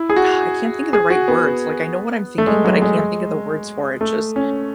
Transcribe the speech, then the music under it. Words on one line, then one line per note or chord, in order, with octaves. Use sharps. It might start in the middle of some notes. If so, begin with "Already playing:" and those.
Ah! I can't think of the right words, like, I know what I'm thinking, but I can't think of the words for it, just
Already playing: E4
G#4
F#4
G#4
F#4
B3
A3
G#3
F#3
G#3
A3
C#4